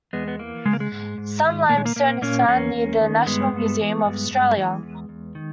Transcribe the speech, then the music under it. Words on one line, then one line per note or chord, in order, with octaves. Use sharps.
Some limestone is found near the National Museum of Australia.
E2 G#3 B3
B3
E3 A#3
C#3 G#3
A#3
G#3
G#2
G#2
D#3
A#2 A#3
G#3
A#3
A#2 A#3
A#2 A#3 C#4
E2 A#3 C#4
E2
D#3
G2 G#3 B3
G2
E3
G2
G2
E3
E2
E2
D#3